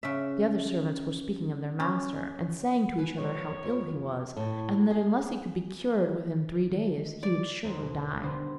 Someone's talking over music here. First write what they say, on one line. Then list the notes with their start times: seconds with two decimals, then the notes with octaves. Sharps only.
The other servants were speaking of their master, and saying to each other how ill he was, and that unless he could be cured within three days he would surely die.
0.03 C#3 E5
1.80 C#4
2.98 B4 G#5
3.18 D#3 F3 G#3 C#5
3.39 A#3
3.63 F2 F3
4.37 A2
4.90 G#4
6.70 D#3 G#3
7.23 D5
7.64 D#2 C4
7.82 B2
8.23 D3 G3 B3 D4 B4 C5